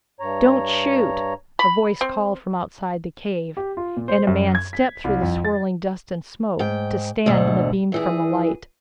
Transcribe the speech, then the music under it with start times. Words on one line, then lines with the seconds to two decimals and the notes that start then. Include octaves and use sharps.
"Don't shoot," a voice called from outside the cave, and a man stepped through the swirling dust and smoke to stand in the beam from the light.
0.20 G2 C#5 A#5
1.59 B5
2.01 C4
3.57 G4
3.77 F4
3.97 A#2
4.08 C5
4.27 F#2
4.55 G#6
4.73 B6
5.04 C2
5.22 F2
5.45 A6
6.59 G#2 G5
7.26 D2 G#2 B2 D3
7.92 G2 E3 G#4